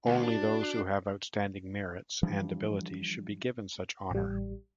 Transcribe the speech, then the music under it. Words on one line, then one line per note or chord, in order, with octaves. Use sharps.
Only those who have outstanding merits and abilities should be given such honor.
D2 F#4
D4
E3 F3 G3 D4
A1 G3